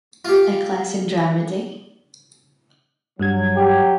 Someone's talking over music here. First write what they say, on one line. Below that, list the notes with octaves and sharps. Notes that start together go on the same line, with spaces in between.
A classic dramedy?
F4 G4
G2 F#3 G3 G#6
G4